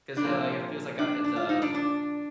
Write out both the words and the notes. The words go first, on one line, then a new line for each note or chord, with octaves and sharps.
'cause, eh, like, it feels like, uh it's um
D4
A#2 F3 A#3 C4
D4
D4
F4
D#4
D4
D4